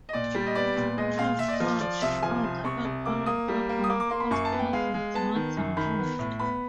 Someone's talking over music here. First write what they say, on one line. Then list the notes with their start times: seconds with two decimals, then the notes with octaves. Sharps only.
As such, Arthur and Alexandra were first cousins once removed.
0.09 D#5
0.13 A#2 D5
0.35 G3
0.46 D#5
0.55 B3 D5
0.76 A#2
0.97 G#3 D#5
1.18 A#2 F5
1.39 A#2 E5
1.48 D5
1.53 D#5
1.60 F3
1.80 F3 D5
2.02 C2 E5
2.22 F3 G#5
2.44 C2
2.64 C2 C#6
2.85 C2
3.05 A#3 D6
3.26 A#3 D#6
3.48 G3
3.69 A#3
3.84 D#6
3.90 A#3 D6
4.00 D6
4.10 A#3 C6
4.20 B5
4.31 F#2 C#6
4.45 A5
4.52 B3
4.59 G5
4.73 G#3 F5
4.94 G#3
5.14 B3 A5
5.35 D#3
5.57 F#2
5.77 D#3 B5
5.99 B3
6.19 A2
6.39 B3 B5